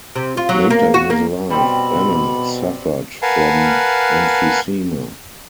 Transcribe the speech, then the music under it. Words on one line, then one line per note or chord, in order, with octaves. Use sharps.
Later in his life, Bannon suffered from emphysema.
C3
F4
F#3
A#3
F#4
A#3
B2 G3 C4 B5
A#4 B4 F5 F#5 G#5 A5